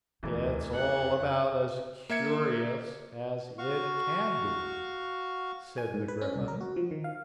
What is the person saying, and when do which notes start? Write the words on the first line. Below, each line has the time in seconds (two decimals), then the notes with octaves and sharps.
'It's all about as curious as it can be,' said the Gryphon.
0.23 E1 D2 E3 D#4
0.73 F2 F#5
2.10 A#3 E5 G#6 C#7
3.58 F#4 F5 C#6
5.78 G#5
5.94 G#2
6.08 B4
6.21 C#4
6.36 C2
6.48 A#4
6.61 F#4
6.76 F3
6.91 D#3
7.04 F5